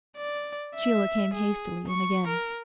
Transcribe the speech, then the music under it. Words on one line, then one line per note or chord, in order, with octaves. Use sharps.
Sheila came hastily in again.
D5
E5
G#4
C#6
A#4